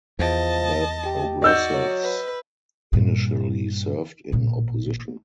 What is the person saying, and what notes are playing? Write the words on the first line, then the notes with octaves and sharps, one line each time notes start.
The Progressives initially served in opposition.
E2 F3 D#5 A5
G4
F#4 D5 D#5 E6 G6
F#3
B4
G2 A#2
A1 A#2